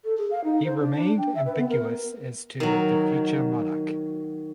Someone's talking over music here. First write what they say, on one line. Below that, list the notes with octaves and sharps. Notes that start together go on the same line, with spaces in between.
He remained ambiguous as to the future monarch.
A4
G#4
F5
D#4
C5
D4
D4
G5
E5
B4
B3
A#4
D#3 F#3